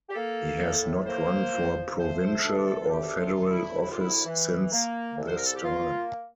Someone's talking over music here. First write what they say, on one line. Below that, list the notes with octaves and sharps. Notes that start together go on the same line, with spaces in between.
He has not run for provincial or federal office since this time.
G4
A#3 A4
A2
A#3 C5
F3
A3 C5
C5
D2 D4
A4
F4
A3 G4
F4
D2
E4
C2 E4
F4
E4
E3
A#3
C2
C5
A#4
A4
G4
A#3 F4